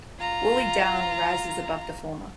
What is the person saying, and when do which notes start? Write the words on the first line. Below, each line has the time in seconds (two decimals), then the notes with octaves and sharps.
Woolley Down rises above the former.
0.20 F4 A#5